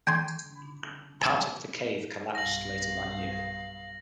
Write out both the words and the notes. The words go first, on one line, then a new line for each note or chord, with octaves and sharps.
Part of the cave collapsed later that year.
G5 G#5 C6
B1 G2 F5 A#6 F#7